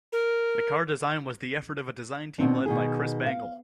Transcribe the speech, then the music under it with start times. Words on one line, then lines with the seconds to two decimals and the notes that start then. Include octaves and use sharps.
The car design was the effort of a design team led by Chris Bangle.
0.13 A#4
2.38 B2 D#3 C4 D4
2.66 B2 D#3 G#4
3.26 F5